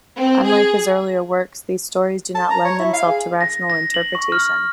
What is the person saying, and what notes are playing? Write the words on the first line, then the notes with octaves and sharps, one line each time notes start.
Unlike his earlier works, these stories do not lend themselves to rational interpretation.
C4
G#4
A5
A#5
C#5
E4
F5
G#4
A#6
A#6
F#7
C#6
F6